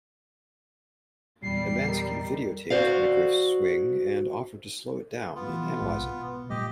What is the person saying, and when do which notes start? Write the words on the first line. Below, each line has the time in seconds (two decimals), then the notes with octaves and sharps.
Emanski videotaped McGriff's swing and offered to slow it down and analyze it.
1.43 E2 A#2 G3 C7
1.88 A#4 D#5 A#5
2.70 F#4 C5 D5 F5
5.35 B3 F4
5.49 E3
5.81 B1 G#2
6.03 B2
6.50 A#2 G3 A3 G4 D#5